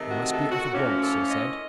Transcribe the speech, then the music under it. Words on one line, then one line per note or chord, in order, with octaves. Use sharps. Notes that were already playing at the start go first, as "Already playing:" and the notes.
"We must be off at once," he said.
Already playing: C3 D#3 A3
F#4
A4
F#4
A2 F3 A#3 C#4
A4
D#5